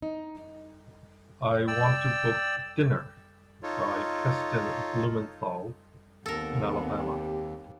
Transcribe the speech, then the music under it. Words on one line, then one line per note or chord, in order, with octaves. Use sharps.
I want to book Dinner by Heston Blumenthal in Alabama.
D#4
D5 G5 E6
D#4 F4 A4 C#5
D#2 B3 C4 A4 A#4
G4